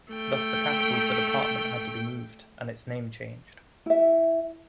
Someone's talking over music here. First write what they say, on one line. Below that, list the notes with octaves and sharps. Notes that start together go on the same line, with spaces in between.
Thus the capital of the Department had to be moved, and its name changed.
A3 G5
E4 E5